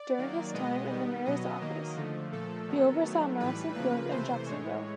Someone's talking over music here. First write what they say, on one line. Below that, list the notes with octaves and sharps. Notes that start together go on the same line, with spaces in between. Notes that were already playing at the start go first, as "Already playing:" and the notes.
During his time in the mayor's office, he oversaw massive growth in Jacksonville.
Already playing: D5
D#3 F#3 A#3
B2 G#3 B3 D#5
D#3 G3 B3
B2 F#3 B3 D#5
D#3 F#3 A#3
D3 F3 A3
A#2 F3 A3 A4
D#3 F#3 B3
D#3 F#3 A3
A2 E3 G3 B4
C#3 F3 A#3 B4
C3 E3 A3 C5
A2 E3 G#3 C#5